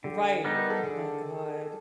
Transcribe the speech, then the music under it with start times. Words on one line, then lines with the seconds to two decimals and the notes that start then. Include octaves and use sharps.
Right. Oh my god.
0.04 D3 G4
0.44 G3 B3 D#4
0.57 A#4
0.70 A4
0.83 D3 G#4